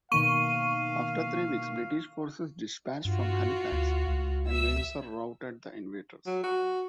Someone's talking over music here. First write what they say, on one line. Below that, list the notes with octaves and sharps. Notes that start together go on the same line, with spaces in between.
After three weeks, British forces dispatched from Halifax and Windsor routed the invaders.
B2 D#3 A#3 F5 C#6 D#7
G2 F4 F#4
D2
C#2
E5 E6
F#3
F#4